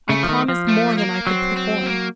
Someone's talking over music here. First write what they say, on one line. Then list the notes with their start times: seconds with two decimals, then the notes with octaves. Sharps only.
I promised more than I could perform.
0.09 C#3 A3
0.23 F3
0.29 D#3
0.48 F3
0.68 A3
0.98 A#3
1.27 F#3 C4
1.57 C4
1.86 A#3